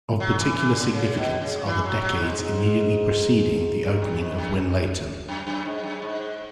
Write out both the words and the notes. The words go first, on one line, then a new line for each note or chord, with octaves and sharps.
Of particular significance are the decades immediately preceding the opening of Winlaton.
F#3
E3
E3
D3
C#3
B2
C#3
E3
F#3
F#3
G#2
G#2
G#2
F#2
G#2
F#2
F#2
F#2
G#2
F#2
G#2